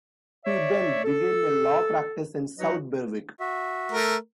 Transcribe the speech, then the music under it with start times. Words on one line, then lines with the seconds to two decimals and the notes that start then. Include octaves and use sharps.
He then began a law practice in South Berwick.
0.45 C#5 D5 E5
1.04 A4
2.58 F#3 D#4 F#4 B4 C#5 D#5
3.40 F#4 E5
3.92 A3 A#4